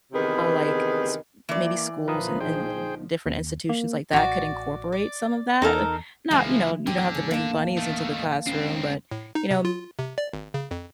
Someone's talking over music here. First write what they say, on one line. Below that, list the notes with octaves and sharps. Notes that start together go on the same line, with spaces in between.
like s maybe schools and and different institutions like that could incorporate some of that. Not you know, you don't have to bring bunnies into the classroom, but, you know,
E2 C3 D#3 G#4 B4
E3 A#3 D5
A#1 D3 F3 F4 A#4 B4 A#5 D#6
D#4 G#4 C5 G5
D#2
A#3
A1 F#4 D5
D5
E2 D#4 A4 A#4
C#2 E3 F3 G#3 A#3 E4
A1 E2 D3 G5
C#3
A#3 A5
D#3 A3
E1 C#2 C4 C#4
A2
D#4
C3
F4
C3
D5
G#1
C#3
F2